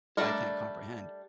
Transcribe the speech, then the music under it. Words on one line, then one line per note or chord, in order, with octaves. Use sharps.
I can't comprehend.
G3 A3 D4 A#4